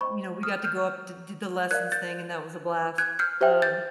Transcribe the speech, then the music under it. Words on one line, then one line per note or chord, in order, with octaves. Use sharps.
you know, we got to go up, di did the lessons thing, and that was a blast. Um,
C5 D#5 G5 B5 C#6
D#6 F6
F6 G6
A#4 D5 F5 F#6 G#6
G6 A6
F#6 G#6
F6 G6
G4 C5 E5 G5
G6 A6